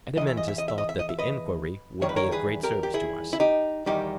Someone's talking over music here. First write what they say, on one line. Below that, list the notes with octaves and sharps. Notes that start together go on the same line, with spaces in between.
Adeimantus thought that the enquiry would be of great service to us.
E2 C#3 E3 D#5
E5
D#5
E5
D#5
E5
D#5
E5
D#5
E5
B4 D#5
E2 D#3 G3 C#5
B4
A#4 C#5
G#4 B4
G4 A#4
G4
E4 G#4
E4
D#4 G4
E2 D#3 G3 D#4 G4